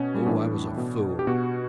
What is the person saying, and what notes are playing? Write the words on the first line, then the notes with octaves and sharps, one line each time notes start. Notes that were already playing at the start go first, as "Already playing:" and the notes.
Oh, I was a fool!
Already playing: B2 C#4
G3
A2 E3 D4
B2
G4
B2 F#4